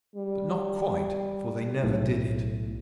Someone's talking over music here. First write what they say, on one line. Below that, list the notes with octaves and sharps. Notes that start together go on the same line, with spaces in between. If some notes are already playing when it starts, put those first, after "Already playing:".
But not quite, for they never did it.
G3
B1 A2